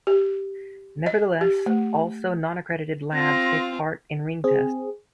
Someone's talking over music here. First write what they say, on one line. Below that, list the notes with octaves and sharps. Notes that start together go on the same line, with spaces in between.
Nevertheless, also non accredited labs take part in ringtests.
G4
D#5
G4
A3
C4 F4 A#6
C4 G#4